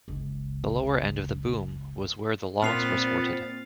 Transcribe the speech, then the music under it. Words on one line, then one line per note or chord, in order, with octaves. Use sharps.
The lower end of the boom was where the logs were sorted.
F#1 C#2
A#2 B3 C4 F6 A6 C7 F7